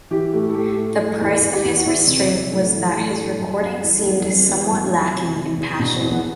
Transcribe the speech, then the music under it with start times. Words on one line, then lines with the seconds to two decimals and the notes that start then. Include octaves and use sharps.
The price of his restraint was that his recording seemed "somewhat lacking in passion".
0.11 E3 G4
0.33 A2 G4
0.49 A4
0.55 A2 G4
0.76 A2
0.98 A2
1.20 E2
1.42 E2
1.53 G4
1.64 E2
1.77 F#4
1.85 E2 E4
2.07 C3
2.19 C4
2.30 C3
2.51 A2 F#3
2.73 E3
2.95 A2
3.17 D3
3.39 F#2
3.60 F#2
3.82 E2 G3
3.99 A3
4.05 E2
4.15 B3
4.26 D3
4.32 C4
4.48 E3 B3
4.70 F#2
4.92 F#2
5.13 C3
5.35 C3
5.57 E2
5.79 B2 D4
5.96 C4
6.01 E2
6.11 B3